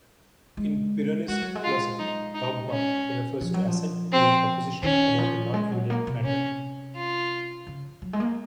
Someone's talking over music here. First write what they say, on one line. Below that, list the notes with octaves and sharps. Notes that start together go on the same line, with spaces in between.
In Pyrrhonist philosophy "dogma" refers to assent to a proposition about a non-evident matter.
G#3
G#3 F#4
F#3
G#3
F4
D#4
D#4
C#4
F3
F#3
F3
C4
D#3 C#4
F3
G#3
F#3
A#3
C3
C3 C#4
F4
C#3
F#3
G#3
A#3